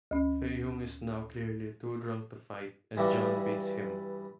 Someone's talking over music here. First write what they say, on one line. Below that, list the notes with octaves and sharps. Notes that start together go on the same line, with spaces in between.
Fei-hung is now clearly too drunk to fight, and John beats him.
D2 C#4
G2 E3 G3 D4 E4 F#4